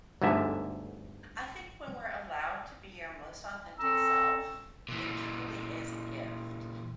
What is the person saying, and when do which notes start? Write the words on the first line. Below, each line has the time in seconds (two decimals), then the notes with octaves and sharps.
I think when we're allowed to be our most authentic self, it truly is a gift.
0.22 G1 D2 G#2 D3 E5
3.78 C4 C#4 A4 A#5 E6
4.88 A#2 E3